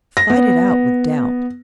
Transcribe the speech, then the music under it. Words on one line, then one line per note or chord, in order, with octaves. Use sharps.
Fight it out with doubt.
A#6
B3